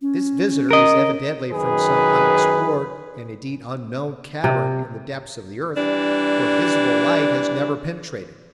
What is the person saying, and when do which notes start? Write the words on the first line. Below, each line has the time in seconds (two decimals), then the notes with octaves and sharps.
This visitor is evidently from some unexplored and, indeed, unknown cavern in the depths of the earth where visible light has never penetrated.
0.02 C#4
0.71 A#4 D#5
1.52 F#2 D#3 G#4 B4
4.44 C3
5.77 E3 G3 D4